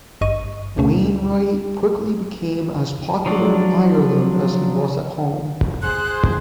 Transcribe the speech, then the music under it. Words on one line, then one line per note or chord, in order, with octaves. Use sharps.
Wainwright quickly became as popular in Ireland as he was at home.
G#1 G2 D#5 C#6 D#7
D2 B2 A3 C#4
F3 F#3 D4
G#4 C5 F#6